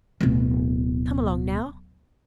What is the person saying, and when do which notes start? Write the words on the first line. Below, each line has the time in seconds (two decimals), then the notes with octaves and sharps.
Come along, now.
0.21 D1 B2